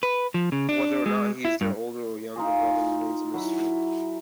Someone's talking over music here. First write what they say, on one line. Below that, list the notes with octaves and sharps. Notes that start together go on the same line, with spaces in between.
Whether or not he is their older or younger brother remains a mystery.
B4
F3
C#3
D4
G#3
E4
G2
D#4 F4 G#4
F#3 E4